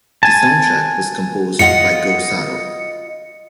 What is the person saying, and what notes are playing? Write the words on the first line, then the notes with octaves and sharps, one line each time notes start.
The soundtrack was composed by Go Sato.
G#5 A5
F4 D#5 F#5 C#7